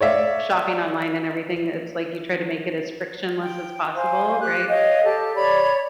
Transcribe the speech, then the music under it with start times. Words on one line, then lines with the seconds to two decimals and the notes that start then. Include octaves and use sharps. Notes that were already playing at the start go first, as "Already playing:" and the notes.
shopping online and everything, it's, like, you try to make it as frictionless as possible, right?
0.01 C#5 D5 E5 F5
3.41 G5
3.96 C5 F5 G#5
4.40 G4 F#6
4.69 C#5 D#5 F5 G5
5.04 G4 A4 A5
5.35 C#5 D5 B5